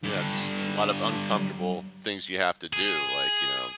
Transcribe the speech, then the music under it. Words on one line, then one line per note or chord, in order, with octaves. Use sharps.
Yeah, it's a lot of uncomfortable things you have to do, like, you know
G2 D3
G#4